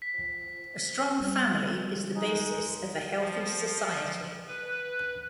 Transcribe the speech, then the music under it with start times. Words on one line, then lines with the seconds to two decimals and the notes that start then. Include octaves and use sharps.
A strong family is the basis of a healthy society.
0.02 B6
1.20 G3
2.16 G#3 D#4
3.20 F3
4.48 B4